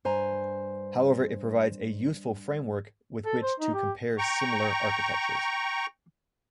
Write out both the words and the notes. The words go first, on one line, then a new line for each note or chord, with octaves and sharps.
However, it provides a useful framework with which to compare similar architectures.
G2 C5 G#5 A#5
A4
C5
D#4
G4
G5 A#5 C#6